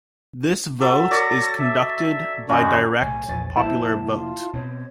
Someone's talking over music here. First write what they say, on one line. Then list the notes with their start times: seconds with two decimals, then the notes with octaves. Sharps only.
This vote is conducted by direct popular vote.
0.81 F#3 A4 E5
1.11 A4 C#5 D5 A#6
1.59 E5
2.49 F#2 D#3 C#4 F#4
3.01 B1 A2 C3 C#5 G#5
3.29 A#1 E2 C#5 A6
3.57 F1 F#2 A#3 E4 C5 A5
4.10 F4
4.53 B2 C4 C#5